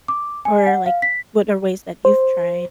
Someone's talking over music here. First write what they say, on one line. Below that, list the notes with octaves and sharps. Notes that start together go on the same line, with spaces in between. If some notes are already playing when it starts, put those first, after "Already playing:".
or, like, what are ways that you've tried
D6
G#5
F#5
F5
B6
C5